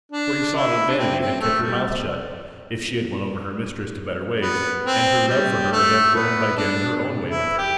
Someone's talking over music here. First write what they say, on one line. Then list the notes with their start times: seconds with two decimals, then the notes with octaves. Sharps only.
For he saw that vanity had kept her mouth shut if she had won over her mistress to better ways, and her love for her would have grown by getting her own way with her.
0.12 D4
0.55 E4
0.87 D4
0.98 C4
1.20 C4
1.41 A3
1.63 G3
4.42 B3
4.86 C4
5.28 G3
5.72 A3
6.15 B3
6.57 D4
7.29 E4
7.58 G4